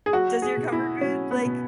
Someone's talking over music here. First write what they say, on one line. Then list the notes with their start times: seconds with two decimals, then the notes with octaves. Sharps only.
Does your comfort food, like,
0.06 G#4
0.13 F#3 F#4
0.42 G#4
0.57 B2
0.72 E4
1.01 F#3 C#4
1.31 B3
1.45 B2